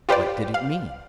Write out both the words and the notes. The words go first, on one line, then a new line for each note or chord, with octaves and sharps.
What did it mean?
F4 G4 B4 C5 D5
F5